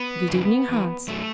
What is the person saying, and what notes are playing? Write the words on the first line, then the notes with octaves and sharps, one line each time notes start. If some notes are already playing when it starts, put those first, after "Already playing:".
'Good evening, Hans.
Already playing: B3
F#2 C#3 E3
E2 E3
F#2 F#3 A3